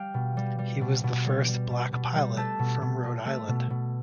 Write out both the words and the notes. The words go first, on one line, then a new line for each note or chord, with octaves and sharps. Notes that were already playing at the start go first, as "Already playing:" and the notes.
He was the first black pilot from Rhode Island.
Already playing: G3 F5 G5
B2
G3
G3
B2
B2
G3
G3
B2
B2
G3
A3 A5
B2
B2
A3
A3
B2
B2